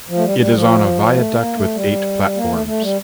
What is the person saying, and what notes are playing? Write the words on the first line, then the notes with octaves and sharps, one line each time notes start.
It is on a viaduct with eight platforms.
F3
A3
G3
G3
F3
A3
A#3
A3
G3
A#3
A3
A3
G3